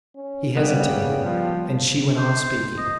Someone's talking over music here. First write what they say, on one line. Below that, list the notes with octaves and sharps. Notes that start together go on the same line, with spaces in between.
He hesitated--and she went on speaking.
C#4
C#3 G3 B3
F3
C5
D#5